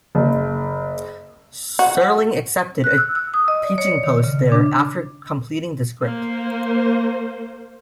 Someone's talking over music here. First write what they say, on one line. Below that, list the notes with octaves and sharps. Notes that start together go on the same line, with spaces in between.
Serling accepted a teaching post there after completing this script.
F#1
F#4
F#6
E6
E6
D#6
D#5
D5
C#5
D#3
C#3
D4
A#3 C5